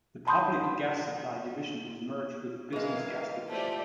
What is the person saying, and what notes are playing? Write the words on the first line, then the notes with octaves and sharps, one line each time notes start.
The Public Gas Supply division was merged with the Business Gas division.
A5 B5 C6 D#6 G6
E3 G#3 A#4 F5
A3 F4 G4 C5 D5